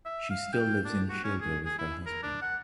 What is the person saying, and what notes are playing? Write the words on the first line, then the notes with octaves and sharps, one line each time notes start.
She still lives in Schilda with her husband.
E5
F5
G5
D4
F#4
C#4
G#4
G#4
E4
A#4
D4
F#5